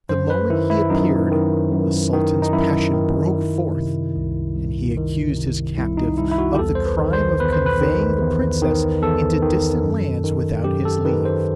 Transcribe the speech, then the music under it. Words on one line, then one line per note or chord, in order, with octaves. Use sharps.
The moment he appeared the sultan's passion broke forth, and he accused his captive of the crime of conveying the princess into distant lands without his leave.
F#2 C5
B4
D#3 E4
E4
F#2 D#4
D#3
F#2
D#3
D#4
F#2 E4
D#3
D#3
C3
C2
C2
D#3
C3
C2 E4
D#4
C2 E4
E4
F#4
G4
E2 A4
C5
B4
D#3
C5
E2 B4
C5
B4
D#3
E2
D#3
E2 A4
D#3
F#2
D#3
F#2 G4
A4
D#3 B4
C5